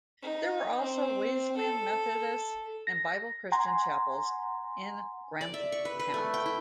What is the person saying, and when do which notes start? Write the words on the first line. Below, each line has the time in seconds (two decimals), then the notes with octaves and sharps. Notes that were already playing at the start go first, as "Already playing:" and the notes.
There were also Wesleyan Methodist and Bible Christian chapels in Grampound.
0.22 D#4
0.81 C4
1.57 A4
2.87 A#6
3.52 F#5 G#5 A#5 C6
5.41 D5
5.54 E5
5.72 C#6
5.85 B4
5.99 B4
6.14 A3
6.34 G5
6.46 E4